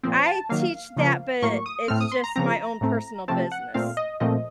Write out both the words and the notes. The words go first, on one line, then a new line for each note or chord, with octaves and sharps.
I teach that, but it's just my own personal business,
A#2 F3 C4
A5
D#3 F#3 A#3 F5
C#3 F3 A#3
A2 F#3 A#3 C#6
D#6
A2 A3 C4 F6
D#6
C6
A#5
C#3 F3 C4 A#5
A2 A3 C4
C3 F3 A3 C4 A5
F#5
A#2 A3 C4 F5
D#5
A#2 F3 A3 C4 D#5